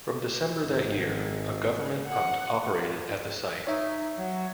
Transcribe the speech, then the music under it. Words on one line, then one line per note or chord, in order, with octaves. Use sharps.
From December that year a government punt operated at the site.
G#1
F#5
D#4 C#5 E5
F#3